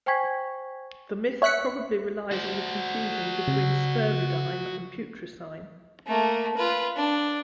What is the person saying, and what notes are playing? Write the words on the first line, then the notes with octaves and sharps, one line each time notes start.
The myth probably relies on the confusion between spermidine and putrescine.
C5 G5 G#5 C#6 G#6 B6
C#5 E5 F#6 B6 C#7
F#4 C5
C#3
A3 A#3
F4 B4
D4